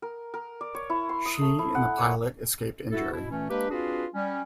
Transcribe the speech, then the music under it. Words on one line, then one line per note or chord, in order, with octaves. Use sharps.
She and the pilot escaped injury.
A#4
A#4
D5
C#5
E4
C6
D#6
A3
E4
F#5
C#5
E4 F#4 A4
B2 E4
A#2 E3 A3 C#4
G#3 A#3 D4 G4 B4
C4 D4 F4 F#4 G#4 B4
G3 C#4